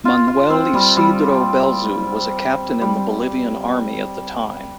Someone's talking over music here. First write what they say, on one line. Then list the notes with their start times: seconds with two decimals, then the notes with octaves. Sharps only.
Manuel Isidro Belzu was a captain in the Bolivian Army at the time.
0.05 F4
0.28 F4
0.50 C4
0.75 G3
0.97 G3
2.81 G3